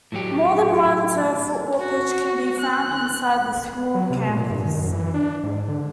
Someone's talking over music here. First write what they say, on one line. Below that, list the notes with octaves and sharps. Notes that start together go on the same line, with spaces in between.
More than one turfed football pitch can be found inside the school campus.
A2 F#3 G4
F#4
F#6
F#3
C3
A#2
G2
D#3
F#2
E3
D4
G#2
D3